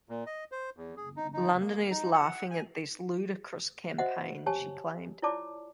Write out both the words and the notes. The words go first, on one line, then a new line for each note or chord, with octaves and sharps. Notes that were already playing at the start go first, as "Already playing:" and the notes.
"London is laughing at this ludicrous campaign", she claimed.
A#2
D#5
C5
E2
G#4
D#4
D#4
A#3
D#4
F#5
G#5
F#4 C5 D#5 E5 F#5
G4 C#5 G#5 A5
E4 F4 C#5 D5 A5 D6